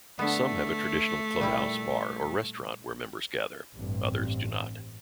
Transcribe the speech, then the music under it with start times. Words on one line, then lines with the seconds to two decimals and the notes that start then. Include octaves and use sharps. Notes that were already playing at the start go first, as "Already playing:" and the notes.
Some have a traditional clubhouse, bar, or restaurant where members gather; others do not.
0.19 D3 A3 B3
1.39 A#2 G3 E4
3.75 A1 G2 C4